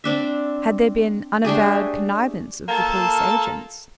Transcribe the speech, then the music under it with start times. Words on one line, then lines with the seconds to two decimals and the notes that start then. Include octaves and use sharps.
Had there been unavowed connivance of the police agents?
0.04 C4 D4 E5
1.44 A3 D4 G4 G#4
2.69 A#3 F4 A4 A5